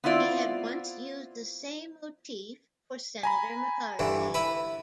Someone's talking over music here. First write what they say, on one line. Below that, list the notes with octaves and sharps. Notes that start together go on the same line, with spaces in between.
He had once used the same motif for Senator McCarthy.
B3 C4 E4 F4 D5
G#5 A#5 B5
G2 D3 E3
E4 B4